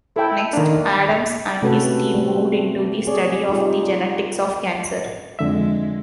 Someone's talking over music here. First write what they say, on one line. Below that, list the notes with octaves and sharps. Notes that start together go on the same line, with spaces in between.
Next, Adams and his team moved into the study of the genetics of cancer.
E4 A4 C5 G5
D#3 A#3 D4
C3 A3 C#4 F#4 A4 B4
G3 A3 C4
C4 G#4 C#5 D5
G3 D#4 F4 G4
F2 D3 G#3 E5